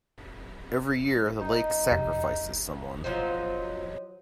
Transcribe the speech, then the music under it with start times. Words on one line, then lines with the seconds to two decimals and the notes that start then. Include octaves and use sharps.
Every year the lake sacrifices someone.
1.41 D#4
1.91 C2 F2 G4
3.04 F3 F#3 D#4 C5